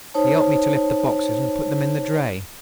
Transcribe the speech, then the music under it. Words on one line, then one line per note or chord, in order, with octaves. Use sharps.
He 'elped me to lift the boxes and put them in the dray.
D#4 C5 C#5 A5